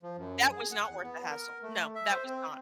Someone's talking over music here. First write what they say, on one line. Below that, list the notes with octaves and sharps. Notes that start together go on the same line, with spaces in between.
That was not worth the hassle. No. That was not.
F3
F#2
G#4
F#5
E2
B3
A#4
A3
E5
C5
C4